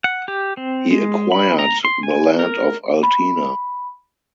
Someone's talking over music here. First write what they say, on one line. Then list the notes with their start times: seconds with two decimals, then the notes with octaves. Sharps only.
He acquired the Land of Altena.
0.04 F#5
0.28 G4
0.57 C4
0.91 G#3
1.32 B5
1.59 A#5
1.85 C6
2.03 G#5
2.39 A#4
3.03 B5